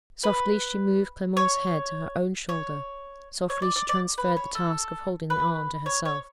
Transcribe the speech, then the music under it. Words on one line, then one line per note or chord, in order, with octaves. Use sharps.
Softly she moved Clement's head to her own shoulder; softly she transferred the task of holding the arm to herself.
B4
C#5
C#5
C#5
D5
D5
D5
B4
C#5
A4
B4
C#5
C#5